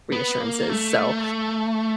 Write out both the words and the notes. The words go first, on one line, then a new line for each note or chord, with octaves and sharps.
reassurances, so,
B3
A#3
A3